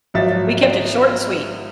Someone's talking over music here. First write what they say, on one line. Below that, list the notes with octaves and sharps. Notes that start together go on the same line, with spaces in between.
"H we kept it short and sweet,"
G#1 F3 F#3 E5 A6